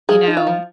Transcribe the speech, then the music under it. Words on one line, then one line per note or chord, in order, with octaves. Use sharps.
you know,
F3 G#4
D#4
F4
F3